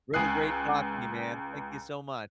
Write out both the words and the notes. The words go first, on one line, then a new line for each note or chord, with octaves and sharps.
Really great talking to you man, thank you so much.
C#2 G#5 D#6 F#6 C7